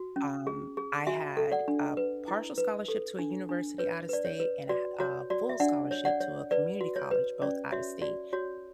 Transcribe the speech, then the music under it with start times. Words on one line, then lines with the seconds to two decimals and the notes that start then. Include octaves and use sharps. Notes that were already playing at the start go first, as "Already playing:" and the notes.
Um, I had a partial scholarship to a university out of state and a ha uh, full scholarship to a community college, both out of state.
Already playing: F#4
0.16 C#4
0.47 G#4
0.77 G#4
1.07 F#4 E5 G#5
1.37 A4
1.52 D5 F#5
1.68 D4
1.97 B4
2.28 E4
2.58 B4
2.88 A4
3.19 D4
3.49 D4
3.78 B4 C#5
4.09 B4 D5
4.25 C#5
4.40 B4
4.69 F#4 D5
5.00 F#4 C#5
5.30 F#4 D5
5.49 E5
5.60 D4 D5 F#5
5.91 C#5
6.05 D5 F#5
6.20 C#5
6.51 B4 D5
6.81 F#4
6.96 C#5
7.11 B4
7.42 C#4 D5
7.72 F#4 C#5 E5
8.02 F#4 D5
8.33 F#4 C#5